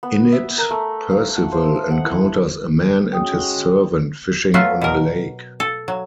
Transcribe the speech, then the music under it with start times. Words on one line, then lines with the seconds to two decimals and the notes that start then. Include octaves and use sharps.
In it, Percival encounters a man and his servant fishing on a lake.
0.03 B3
0.32 E5
0.58 A#4
0.70 A3
1.11 F5
1.36 F#5
1.52 C5
1.76 D#6
1.91 F#5
2.04 E4
3.13 G#3 C#4 F#4 G5 D#6
4.54 F#3 A3 B3 F4 F#4
4.81 B2 A#4
5.60 A4
5.88 F#3